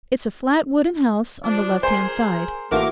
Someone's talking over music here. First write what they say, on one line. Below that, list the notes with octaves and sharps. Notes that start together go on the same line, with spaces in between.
'It's a flat wooden house, on the left-hand side.
F3 D4 D5
G#4 A#4 C5
A1 A3 A#3 E4 F#4 A#4 D6